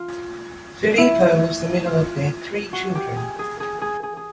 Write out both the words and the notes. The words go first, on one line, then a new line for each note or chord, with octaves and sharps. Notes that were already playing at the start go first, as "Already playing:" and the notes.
Filippo was the middle of their three children.
Already playing: F4
E4
F4
F#4
G4
G#4
G#4
G#4
G#4
G#4
G#4